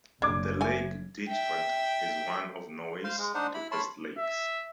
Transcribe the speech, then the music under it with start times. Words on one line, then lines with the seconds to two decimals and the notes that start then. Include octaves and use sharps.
The lake Dingevatn is one of Norway's deepest lakes.
0.22 F#1 C#3 D4 D6 G#6
0.61 A3 G#5
1.29 E5 G5
3.04 C5 F5 C6
3.18 G#3
3.34 D4 D#4 C5 F#5
3.54 E4 B5
3.71 C#5 A5 B5 C6
4.18 E5